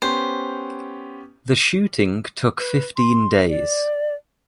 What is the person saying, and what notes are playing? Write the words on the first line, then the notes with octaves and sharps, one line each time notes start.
The shooting took fifteen days.
B3 C#4 G4 C5
B4
C6
D5